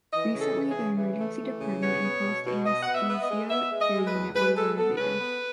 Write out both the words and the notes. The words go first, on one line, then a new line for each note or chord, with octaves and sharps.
Recently the Emergency Department and Post Anesthesia Care Unit were renovated.
E3 D#5
C#3
A4
E3
G#4
C#3
E3
A3
E3
C#3
B3 C#5
B3
B2
B2
B2 D#5
B3 F#5
E5
B3
D#5
G#3
B3 E5
G#3
D#5
G#3
B4
E2
G#3 B4
G#3 A4
B3 A4
C#3 B4
B3